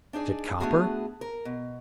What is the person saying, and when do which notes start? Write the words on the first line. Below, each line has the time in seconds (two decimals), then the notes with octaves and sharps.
"Is it copper?"
0.13 D4 D#4 G#4 D5
0.60 A3 B3 D4 F#4 G#4
1.21 A#4
1.45 B2